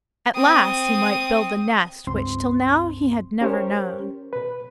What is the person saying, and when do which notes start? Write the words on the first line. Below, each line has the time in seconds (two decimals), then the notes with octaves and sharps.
At last he might build the nest which till now he had never known.
0.35 C4 D#6
2.07 C#2 G2 C4 C6
3.41 C#4 G4 A#4 C5 C#5
4.33 B2 B4